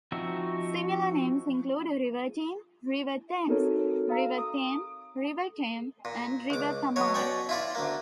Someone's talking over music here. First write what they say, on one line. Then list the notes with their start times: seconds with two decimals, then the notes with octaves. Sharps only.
Similar names include River Team, River Thames, River Thame, River Tame and River Tamar.
0.12 F3 C4 D#4 F#4 E5
3.47 C4 D#4 F#4 A4 A#4 C#5
4.10 F5 A#5 E6
4.38 D#6
6.05 A#2
6.50 C#2 D6
6.96 B2 F#3 C#5
7.14 B2 C#4 D5 G5 C#6
7.49 E4 F4 D5
7.75 D2 A#3